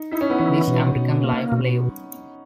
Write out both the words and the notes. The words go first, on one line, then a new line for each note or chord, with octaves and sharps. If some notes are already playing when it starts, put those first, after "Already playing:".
This American Life Live!
Already playing: D#4
D#4 E4
C#4
B3
E3 C#4
B2
B2
A#3
B2